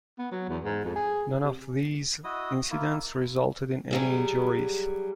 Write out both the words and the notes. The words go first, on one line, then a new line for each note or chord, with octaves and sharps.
None of these incidents resulted in any injuries.
B3
F#3
E2
G#2
F2
G#4
C3
E4 F#4 D#5 D#6
A#3 E4 F4
F#3 G3 G#4